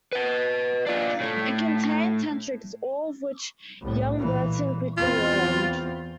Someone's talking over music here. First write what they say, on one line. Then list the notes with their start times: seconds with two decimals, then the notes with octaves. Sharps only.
It contained ten tricks, all of which young Burton quickly learned.
0.13 B4 D#5
0.86 D4 F4
1.20 A2 A3
3.81 C2 A2
4.17 A#2 E3
4.97 E2 C4 F4